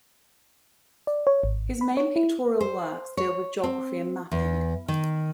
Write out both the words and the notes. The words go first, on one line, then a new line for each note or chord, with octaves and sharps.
His main pictorial works deal with geography and mapping.
D5
C#5
G#1
B5
C#5
E4
C5
C#5
C4
E2
D#3